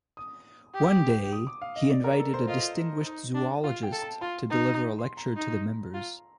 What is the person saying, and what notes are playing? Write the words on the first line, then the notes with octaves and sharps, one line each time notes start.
One day he invited a distinguished zoologist to deliver a lecture to the members.
D#6
G4
D#6
D6
F5
D#5
D5
A#4
A4
C5
F4 D#5
D#4
D4
F4 F5
G5
A4
A5
F4 C6
D#4
C6
A#5
D#4
F4